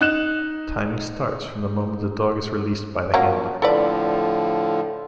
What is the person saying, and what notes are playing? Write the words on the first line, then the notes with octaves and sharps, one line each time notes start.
Timing starts from the moment the dog is released by the handler.
D#4 F#6 E7
F3 F#3 A#3 C#4
A2 D3 F3 A4 B4 D5